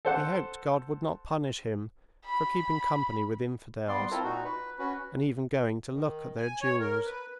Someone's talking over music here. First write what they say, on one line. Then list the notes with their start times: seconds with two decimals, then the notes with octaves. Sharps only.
He hoped God would not punish him for keeping company with infidels, and even going to look at their duels.
0.05 A4 C5 F#5
2.25 B5
3.88 G3 B3 D5 C6
4.11 C4 E4 F4 A4 A#4
4.24 A#2 D#4 F#4
4.44 B4
4.79 C#4 F#4 B4
5.91 D#3
6.37 G#5
6.61 C#5
6.80 A#4
7.06 B4